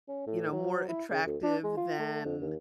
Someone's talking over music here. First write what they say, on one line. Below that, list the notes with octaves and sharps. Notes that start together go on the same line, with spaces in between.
you know, more attractive than,
C#4
A2
F#3
E4
C#3
D2
D4
G#3
F4
A3
F2
D#2